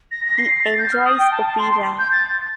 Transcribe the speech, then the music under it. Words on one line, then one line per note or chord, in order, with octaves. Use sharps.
He enjoys opera.
A#6
A#6
C7
C7
A#6
A6
G6
F6
D#6
G5
A5
A5
C6
C6
G6
A6